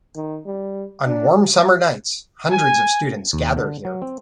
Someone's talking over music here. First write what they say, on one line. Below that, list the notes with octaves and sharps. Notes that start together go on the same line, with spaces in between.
On warm summer nights, hundreds of students gather here.
D#3
G3
D4
G#5
D#2
D3
F#3
C4